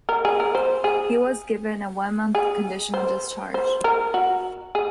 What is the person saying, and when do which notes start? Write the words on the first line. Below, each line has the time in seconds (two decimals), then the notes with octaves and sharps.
He was given a one-month conditional discharge.
0.09 A#4
0.25 G#4
0.40 A#4
0.55 C5
0.84 G#4
2.35 G#4
2.94 C5
3.54 C5
3.84 A#4
4.14 F#4
4.75 G#4